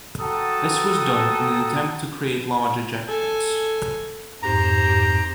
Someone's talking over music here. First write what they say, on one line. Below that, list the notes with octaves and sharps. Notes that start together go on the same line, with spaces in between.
This was done in an attempt to create larger jackpots.
F#4 A4 G5 A5 A#5 D#6
A4 G#5
F2 G#2 G4 C5 A#5